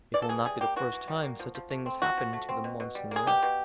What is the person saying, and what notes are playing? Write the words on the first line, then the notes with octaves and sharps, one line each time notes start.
"It will not be the first time such a thing has happened to them, monseigneur."
E3 D5
A4
E3 G#4
G3 G#4
A#3 G4
E3 F#4
E3
G3
A#3
F3
F3
A3
C4
F3 F#4
F3
A3
C4
B2
B2
G3
A#3 G#4
B2 G4
B2